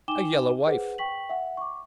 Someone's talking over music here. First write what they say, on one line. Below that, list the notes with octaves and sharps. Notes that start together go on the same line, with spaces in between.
'A yellow wife!
D#4 G5 G#5 D6 E7 G7
G#4 B4 C5 F#5
G5 C#6 B6 F#7
E5 F#5
C#6 D6